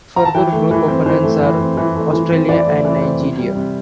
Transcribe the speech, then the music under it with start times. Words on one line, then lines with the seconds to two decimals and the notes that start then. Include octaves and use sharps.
Further group opponents are Australia and Nigeria.
0.16 A#5
0.25 A5
0.34 E3 G5
0.52 A3
0.71 E3
0.88 C4
1.06 E3 C5
1.23 A3
1.42 E3
1.59 C4
1.77 E3
1.95 A3
2.13 E3
2.31 C4
2.49 E3 D5
2.67 A3
2.85 E3
3.02 C4
3.20 C3
3.38 G3
3.55 C3